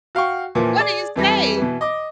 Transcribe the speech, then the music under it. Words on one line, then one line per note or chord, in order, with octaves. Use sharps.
what do you say?
F#4 F5 G5 C#6
A#2 E3 F3
G#4 D5
F2 E3 G3
B2 E3
D#5 D6